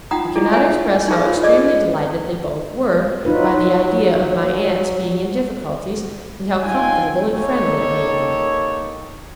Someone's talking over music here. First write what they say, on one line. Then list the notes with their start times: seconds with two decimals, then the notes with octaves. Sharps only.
I cannot express how extremely delighted they both were, by the idea of my aunt's being in difficulties; and how comfortable and friendly it made them.
0.11 D#4 F4 F#5 G5 A#5 D#6
0.35 D4 E4 F4 G#4 A4
0.52 C#5 E5 F#5 G#5
1.08 D#4 G4 G#4 A#4 C5 F5
1.25 F4 C#5
1.43 G#4 A4 D5 D#5
3.25 F#3 D#4 F4 B4
6.63 D#4 F4 G5 G#5
7.31 A#3 D#4 G4 A4 C#5